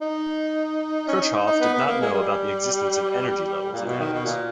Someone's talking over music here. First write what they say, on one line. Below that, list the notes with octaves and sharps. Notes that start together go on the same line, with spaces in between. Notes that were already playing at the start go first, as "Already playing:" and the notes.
Kirchhoff did not know about the existence of energy levels in atoms.
D#4
C#4
D#4
D#4
D#4
B3
B3
A#3
G#3
G3
A#2
B2
D#3
B2
A#2